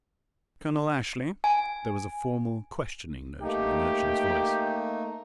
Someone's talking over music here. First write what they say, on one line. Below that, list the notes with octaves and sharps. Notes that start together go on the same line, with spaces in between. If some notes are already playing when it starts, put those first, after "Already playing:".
"Colonel Ashley?" There was a formal, questioning note in the merchant's voice.
G#5
A3 A#3 D#4 G4